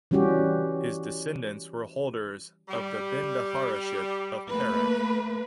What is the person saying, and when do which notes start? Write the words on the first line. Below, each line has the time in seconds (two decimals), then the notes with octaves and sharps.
His descendants were holders of the Bendaharaship of Perak.
0.11 E3 G3 C#4 F#4 G4
2.68 G3
4.49 A3 A#3 B4